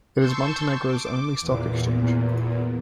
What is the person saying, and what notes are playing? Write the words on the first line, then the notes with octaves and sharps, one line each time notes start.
It is Montenegro's only stock exchange.
A5 C6 C#6 E6 G6
D6
E2 A#2